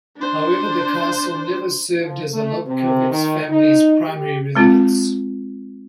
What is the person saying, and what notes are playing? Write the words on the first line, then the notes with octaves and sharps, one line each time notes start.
However, the castle never served as the Lobkowicz family’s primary residence.
D4 C5
F3
A3
C3
D#3
D#4
G4
G#3 C4 F4